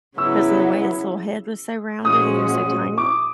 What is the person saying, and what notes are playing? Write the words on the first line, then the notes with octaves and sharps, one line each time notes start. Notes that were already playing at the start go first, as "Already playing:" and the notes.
'cause of the way his little head was so rounded and he was so tiny,
C#3 F#3 B3 E4 E6
A#2 F3 G#3 C#4 F#4 D#6
D6